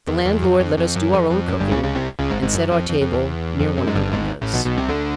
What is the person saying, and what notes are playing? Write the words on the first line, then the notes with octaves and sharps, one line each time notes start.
The landlord let us do our own cooking and set our table near one of the windows.
E2
E2
F2
F2
F2
F#2
F2
F2
F#2
G1 G2
C#2 C#3
C#2 C#3
C2 C3
C#2 C#3
G#1 G#2
G#1 G#2
F#2
F2
F2
F2
E2
F2
F#2
G#2
G1 G2
G#1 G#2
A1 A2
B1 B2
B1 B2
C2 C3
D2 D3